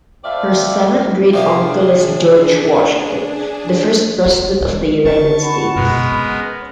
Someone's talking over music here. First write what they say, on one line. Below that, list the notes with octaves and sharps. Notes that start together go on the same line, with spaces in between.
Her seventh great-uncle is George Washington, the first president of the United States.
F2 A3 C4 D5 E5 F5
C3 F3 A#3 D4 G#4
F4
G#3 D4
D3 C#4 A5 C#6
F#4 B5
F#2 B2 G#3 B3 A#4
C#4